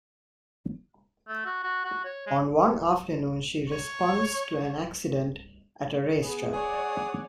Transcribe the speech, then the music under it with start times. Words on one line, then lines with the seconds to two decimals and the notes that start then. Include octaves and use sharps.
On one afternoon, she responds to an accident at a racetrack.
1.28 A3
1.45 F#4
1.64 F#4
1.85 F#4
2.05 C#5
2.27 G#3
3.69 C#5
6.22 B3 G#4
6.53 G#4 C#5 D5 F#5